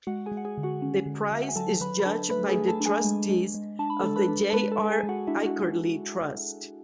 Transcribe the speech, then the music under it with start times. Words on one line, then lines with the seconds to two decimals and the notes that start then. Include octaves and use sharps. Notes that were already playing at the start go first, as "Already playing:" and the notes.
The prize is judged by the trustees of the J. R. Ackerley Trust.
0.07 G#3 F#4 F#5
0.26 G#4 G#5
0.32 G#3
0.37 F#5
0.45 G#4 G#5
0.58 D3
0.63 F#4 F#5
0.82 C#4
1.06 D3
1.32 D3 E5
1.41 F#5
1.49 G#5
1.56 F#3 A4 A5
1.81 F#3 B4 B5
2.00 B5
2.05 D4 A4 A5
2.30 A3 B4 B5
2.49 G#4 G#5
2.55 A3
2.67 A4 A5
2.80 D4
2.86 G#4 G#5
3.05 G#3
3.29 G#3
3.54 G#3
3.79 D4 A5
3.90 B5
4.00 A4 A5
4.03 G#3
4.16 B4 B5
4.28 D4
4.50 A5
4.53 G#3 B4 B5
4.72 A4 A5
4.79 G#3
4.90 G#4 G#5
5.03 G#3
5.09 F#4 F#5
5.27 D4 E4 E5
5.46 F#4 F#5